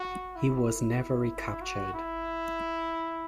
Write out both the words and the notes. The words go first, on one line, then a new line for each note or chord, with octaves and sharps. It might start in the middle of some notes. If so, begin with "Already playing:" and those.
He was never recaptured.
Already playing: F#4
E4
F#4
E4